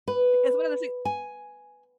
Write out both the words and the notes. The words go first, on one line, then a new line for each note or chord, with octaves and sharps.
It's one of those thi
B4
G#5